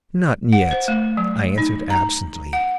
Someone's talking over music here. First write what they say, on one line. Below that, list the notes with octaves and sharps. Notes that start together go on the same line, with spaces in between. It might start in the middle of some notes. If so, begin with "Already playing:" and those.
"Not yet," I answered absently.
F#5
C5
A3
F#3
D#4
A#5
F#5